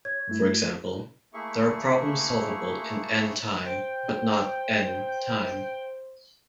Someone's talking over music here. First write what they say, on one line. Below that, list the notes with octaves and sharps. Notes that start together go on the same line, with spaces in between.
For example, there are problems solvable in "n" time but not "n" time.
C#5 G#6
G2 A3 E4
A3 A#3 E4 G#4 E5 C#6
C5 G5